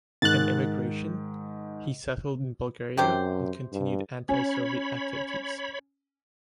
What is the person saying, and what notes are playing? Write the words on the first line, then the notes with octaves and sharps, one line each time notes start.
In emigration, he settled in Bulgaria and continued anti-Soviet activities.
G#2 D#3 F#6 A6
F#2 C3 G4 C5
G2
C#4 C#5 B5